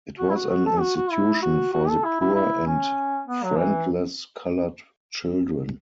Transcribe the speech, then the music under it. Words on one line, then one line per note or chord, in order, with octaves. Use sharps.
It was an institution for the poor and friendless colored children.
F#4
E4
F#4
F#4
A4
F#4
F#4
E4
F#4
F#4
A4
E4
E4
E4
C#4
B3
F#3
E3